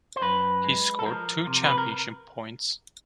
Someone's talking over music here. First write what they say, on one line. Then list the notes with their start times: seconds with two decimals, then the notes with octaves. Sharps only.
He scored two championship points.
0.16 C5
0.22 F#2 B4
0.64 G#3
0.99 A4
1.06 F3 A#4
1.47 C3
1.65 B4
1.78 A#4